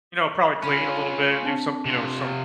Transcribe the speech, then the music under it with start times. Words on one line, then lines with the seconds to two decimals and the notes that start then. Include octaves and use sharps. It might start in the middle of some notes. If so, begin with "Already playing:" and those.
you know, probably clean a little bit, do some you know, some
0.63 C#4 F4 B5
1.43 C4 D4 A5
1.85 C3 F4